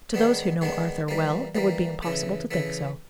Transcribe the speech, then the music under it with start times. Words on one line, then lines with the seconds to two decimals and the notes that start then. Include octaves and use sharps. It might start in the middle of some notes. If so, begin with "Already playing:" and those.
"To those who know Arthur well, it would be impossible to think so."
0.14 D#3 G#3 B3 D4
0.61 D#3 G#3 B3 D4
1.08 E3 G3 A#3
1.55 E3 G3 A#3
2.02 C#3 E3 A3
2.51 C#3 E3 A3